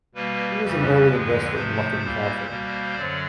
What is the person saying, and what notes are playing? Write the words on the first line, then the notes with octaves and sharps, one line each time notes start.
Lu was an early investor in Luckin Coffee.
B2 G3 A#3 B4
F2 C#3 E3 G3
F2 D3 F3 G#3
C3 F3 A3 C5
A#2 G3 A#3
B2 G3 A#3
F#2 D3 F#3 D5